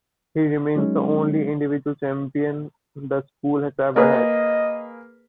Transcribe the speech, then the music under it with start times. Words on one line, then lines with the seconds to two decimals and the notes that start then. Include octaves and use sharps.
He remains the only individual champion the school has ever had.
0.76 F#3 G#3 C#4 D#4
3.96 A#3 G#4 B4 D#5